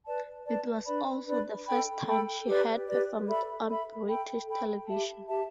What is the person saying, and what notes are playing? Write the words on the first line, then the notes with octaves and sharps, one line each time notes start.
It was also the first time she had performed on British television.
B4 D5 A5
B4 D5 A5
D4 B4 D5 B5
D4 B4 D5 B5
A4 G5 B5
A4 G5 B5
G4 B4 D5
G4 B4 D5
A4 E5 B5
A4 E5 B5
A4 G5 B5
A4 G5 B5
G4 E5 A5
G4 E5 A5